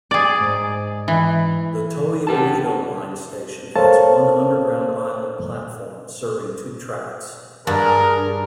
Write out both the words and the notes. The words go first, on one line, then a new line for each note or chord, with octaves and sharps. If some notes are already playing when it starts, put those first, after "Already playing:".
The Toei Oedo Line station has one underground island platform serving two tracks.
G#4 D5
G#2
E3
B3 G4 A5
A4 A#4 C5 C#5 F5 A5
G2 D4 G#4 A#4